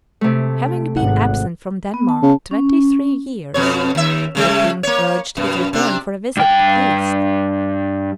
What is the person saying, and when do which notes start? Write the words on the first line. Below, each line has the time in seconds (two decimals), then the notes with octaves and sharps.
Having been absent from Denmark twenty-three years, the King urged his return for a visit, at least.
0.21 C3 A3
0.97 G#1 F#5
1.94 B3
2.09 A5
2.22 C#3
2.51 C#4
3.54 F2 B2 C#5
3.95 D#2 E5
4.35 C#3 G3 A3
4.83 A#3 C#5
5.37 F#2 B2
5.73 C3 D4
6.37 G2 G5